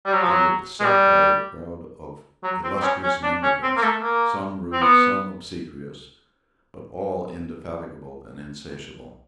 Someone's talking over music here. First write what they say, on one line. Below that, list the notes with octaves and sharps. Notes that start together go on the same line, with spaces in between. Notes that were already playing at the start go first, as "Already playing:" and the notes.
They were beset by a crowd of illustrious mendicants, some rude, some obsequious, but all indefatigable and insatiable.
G3
F#3
F3
F#3
G#3
G3
F#3
C4
C4
C#4
C#4
D4
C#4
C4
A#3
A3
A#3
C4
B3